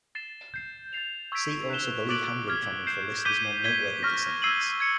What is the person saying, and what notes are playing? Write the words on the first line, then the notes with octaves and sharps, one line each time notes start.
See also the Lee-Hamblin family for a list of more of his noteworthy descendants.
A6 C7 E7 G7
G6 C7 E7
A6 C7 F7
C#6 E6 G#6 B6 D7
F#6 B6 E7 G7
D6 F#6 A6 D7 F#7
D6 F6 G#6
G6 C7 E7
D6 G6 B6 D#7 G7
G#6 B6 D#7 G7
C#6 F6 A#6
E6 G#6 C7 D#7 F#7
G#6 C#7